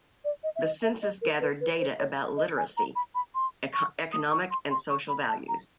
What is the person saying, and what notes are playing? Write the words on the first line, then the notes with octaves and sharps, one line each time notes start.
The census gathered data about literacy, economic and social values.
D5
D#5
E5
D#5
E5
D#5
A#4
B4
B4
C5
C#5
D#5
G#5
A#5
B5
B5
C6
C#6
D#6
C#6
C6
C6
C#6
B5
A5
A#5